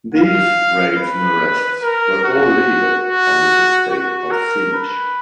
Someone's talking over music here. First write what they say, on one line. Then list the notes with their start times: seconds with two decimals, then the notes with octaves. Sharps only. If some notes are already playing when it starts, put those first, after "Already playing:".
These raids and arrests were all legal under the state of siege.
0.15 F5
0.99 B4
1.82 A#4
2.24 F#4
3.06 F#4
3.90 F#4
4.31 A#4
4.74 B4